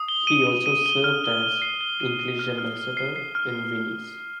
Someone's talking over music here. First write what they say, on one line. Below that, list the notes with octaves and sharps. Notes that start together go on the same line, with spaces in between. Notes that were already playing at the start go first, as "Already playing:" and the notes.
He also served as English ambassador in Venice.
Already playing: D#6
G7
D#7
D#7
D#7
G7
F6
G7
G7
C7
G7
D#7
D#7
F6
F6
G7
C7
C7
F6